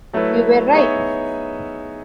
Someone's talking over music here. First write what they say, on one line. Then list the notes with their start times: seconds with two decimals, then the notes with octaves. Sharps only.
You were right!
0.13 F#3 A3 E4 B4
0.73 B3 D#4 G#4 C#5 E5